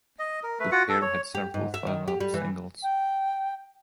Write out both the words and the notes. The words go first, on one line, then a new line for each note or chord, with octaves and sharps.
The pair had several follow-up singles.
D#5
A#4
A3 B4
F4 F#4 F#5
A4
C#5
G4
G#2
E5
D#3
G4
G3
E3
G5